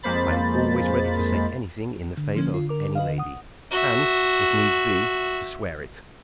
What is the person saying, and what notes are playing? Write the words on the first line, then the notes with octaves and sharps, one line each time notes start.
I am always ready to say anything in the favor of any lady, and, if needs be, to swear it.
F2 G#3 A#3 C5 B5 A6
D3
F3 A#3 C#4
F4
A#4 D6
B4 D#5 F5
F#5 D#6
F#4 E5